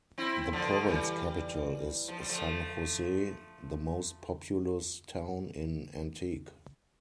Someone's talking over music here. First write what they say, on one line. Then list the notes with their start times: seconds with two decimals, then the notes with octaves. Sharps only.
The province capital is San Jose, the most populous town in Antique.
0.18 C4 E4
0.53 D3 F3
0.81 A3
0.88 E3 G3
2.08 F3
2.19 G3
2.29 F3 A3